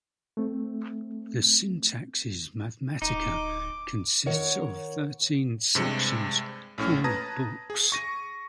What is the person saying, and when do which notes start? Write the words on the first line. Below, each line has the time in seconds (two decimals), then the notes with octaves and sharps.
The "Syntaxis Mathematica" consists of thirteen sections, called books.
0.37 A3 C4
3.02 D1 D#4 D6
4.26 D#3 A#4 C#5 F#5
5.75 G2 C3 G#3 C#7
6.78 A#1 A2 C#4 F6
7.04 B4 A5 A#5 D#6 G#6 A#6
7.70 G#4
7.92 C#6 A#6 D#7